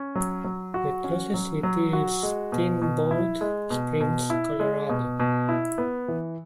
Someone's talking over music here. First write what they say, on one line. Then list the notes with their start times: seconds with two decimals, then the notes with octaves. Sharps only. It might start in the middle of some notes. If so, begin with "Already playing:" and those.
The closest city is Steamboat Springs, Colorado.
Already playing: C#4
0.15 F#3
0.44 F#3
0.74 F#4
1.04 C#4
1.34 F#3
1.63 F#3
1.93 F#4
2.23 G#3
2.52 B2
2.82 B2
3.11 E4
3.41 G#3
3.70 B2
4.00 B2
4.30 E4
4.60 G#3
4.90 B2
5.20 B2
5.49 E4
5.78 B3
6.08 E3